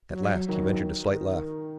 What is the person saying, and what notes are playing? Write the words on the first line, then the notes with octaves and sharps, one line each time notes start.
At last he ventured a slight laugh.
F#3
D#3 F#3
D#3